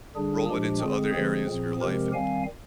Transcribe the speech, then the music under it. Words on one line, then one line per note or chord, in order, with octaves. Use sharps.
roll it into other areas of your life, and
D3 G3 D4 G#4
A#2 F3 G#3 D4 G4
D3 G#3 C4 G#4
D3 F3 G#3 C4 G#4
A#2 F3 C4
C3 F3 G#3 C4 G4 A#4
D#3 G3 C4 F5 G#5